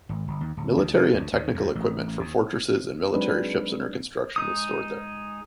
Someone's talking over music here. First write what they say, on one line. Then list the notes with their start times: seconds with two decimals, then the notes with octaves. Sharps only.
Military and technical equipment for fortresses and military ships under construction was stored there.
0.09 G#1
0.28 G1
0.41 D#2
0.57 D1
0.77 D2
0.94 C3
1.14 D2
1.33 D#2
1.54 E2
1.75 A1
2.19 D#2
3.13 F#3 G#3 C4 D4 D#4 B4
4.36 G#3 D#4 D#6